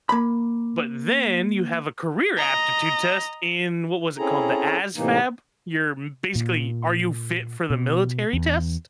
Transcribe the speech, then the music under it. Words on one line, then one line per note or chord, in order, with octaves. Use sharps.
But then you have a career aptitude test in what was it called? The ASVAB? You're basically are you fit for the military test?
A#3 B5
D#5 A#5
C4 C#4 E4 G#4 A4 A#5
A2 C3 E3 A#3 D#4
A#2
B2
E2